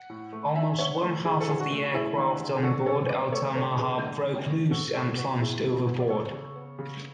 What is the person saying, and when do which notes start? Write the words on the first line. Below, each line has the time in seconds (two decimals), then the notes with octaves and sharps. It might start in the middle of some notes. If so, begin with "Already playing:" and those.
Almost one-half of the aircraft on board "Altamaha" broke loose and plunged overboard.
Already playing: F#5
0.09 A2
0.33 A3
0.55 D3 E5 G#5
0.79 D3 C#5 E5
1.01 A3
1.25 D3 E4 G#4
1.41 A4
1.48 D3 G#4
1.60 F#4
1.71 A3
1.94 A3 E4 G#4
2.17 D3
2.40 D3
2.56 G#4
2.63 D3 F#4 A4
2.86 D3 A4 C#5
3.09 B3 B4 D5
3.32 A3 A4 C#5
3.55 D3 A4 C#5
3.78 D3 G#4 B4
4.02 D3
4.25 D3
4.47 A3
4.71 A2 F#4 A4
4.94 A2 F#4 A4
5.17 B3 F#4
5.40 C#3 E4 G#4
5.63 C#3
5.86 B3
6.00 D5
6.09 C#3 A4 C#5
6.32 C#3
6.55 B3
6.79 C#3